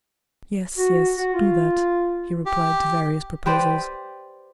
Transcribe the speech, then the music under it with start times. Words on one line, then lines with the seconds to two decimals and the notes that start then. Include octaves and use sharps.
"Yes, yes, do that," he replied to various proposals.
0.77 F#4
1.16 F#4
1.34 F4
2.46 G4
3.46 G4 B4 C5 D5